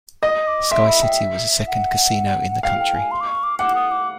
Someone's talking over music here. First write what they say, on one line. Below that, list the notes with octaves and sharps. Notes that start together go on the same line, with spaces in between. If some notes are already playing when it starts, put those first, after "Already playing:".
SkyCity was the second casino in the country.
D#5 D#6
D6
E5 C6
B5
G5
F#5
F5 G5
G5
G#5
C6
D6
C#6
D6
F#5 D6
D#6
D6